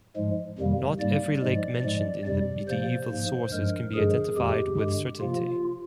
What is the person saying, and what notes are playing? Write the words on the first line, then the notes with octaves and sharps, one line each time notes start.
Not every lake mentioned in medieval sources can be identified with certainty.
G#2 F3 G#3
F2 C3 D#3 G3 A#3
G#2 G3 A#3 D5
G#2 F3 G#3
G#2 F3 G#3 D5
F2 C3 G3 D5
C3 F3 A#3 C5
G#2 F3 A#3
G2 F3 G#3 A#4
G2 D3 F3 G#3 G#4
F2 D#3 G#3 G4
G2 D3 G#3
C3 F3 A#3 F4